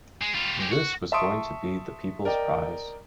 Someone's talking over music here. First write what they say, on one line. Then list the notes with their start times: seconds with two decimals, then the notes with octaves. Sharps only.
This was going to be the people's prize.
0.22 G#3
0.35 G3 F4
0.60 G#3 G4
0.72 F#4
1.12 E5 A5 C6 C#6 D#6 D7
2.25 A#4 D5 D#5 G5